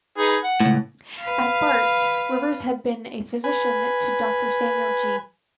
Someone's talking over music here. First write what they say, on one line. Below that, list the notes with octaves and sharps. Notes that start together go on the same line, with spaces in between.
At Bart's, Rivers had been a physician to Doctor Samuel Gee.
D#4 G#4 B4
F#5
C#2 A2
B4 F5
B4 G#5